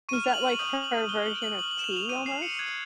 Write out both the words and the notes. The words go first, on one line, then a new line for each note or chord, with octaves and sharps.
Is that like her version of tea almost?
C#6 F6 D#7
F7
F#7
D#6 G6 F#7
F#7
C#6 F#6 G7
F#7
F#7
C#6 F6 F#7
F#7
E7
F7
F7
D6 G6 D#7
C7
C#7
D6 F#6 G#6